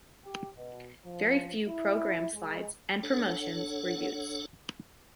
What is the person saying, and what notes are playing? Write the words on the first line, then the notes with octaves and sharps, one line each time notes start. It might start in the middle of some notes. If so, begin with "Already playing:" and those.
Very few programme slides and promotions were used.
G4
B2
F3
E4
G#3
D4 A4 C#5 F#5